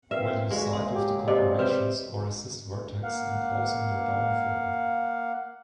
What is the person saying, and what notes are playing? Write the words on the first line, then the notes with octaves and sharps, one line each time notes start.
Will you side with the Corporations, or assist Vertex in causing their downfall?
A#2 C4 B4 E5 F5
D3 G#3 F#4 F5 F#5
F#3 A#3 G#4 C5 C6
G4
C3 G3 C#5 D#5 C6
C4 B4 E5 G5
A#3 F5 F#5